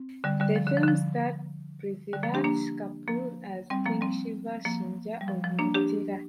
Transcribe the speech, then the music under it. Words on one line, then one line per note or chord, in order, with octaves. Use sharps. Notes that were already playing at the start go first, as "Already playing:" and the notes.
The film starred Prithviraj Kapoor as King Shiva Singha of Mithila.
Already playing: C4
D3 G3
D3 G3
F3
D3
F3
D3
F3
D3 G3
F3 A#3
D4 G4
A#3 D4
F3 A#3
G3 C4
F3 A#3
G3 C4
F3 A#3
G3
F3
F3
A#3 D4
D4 G4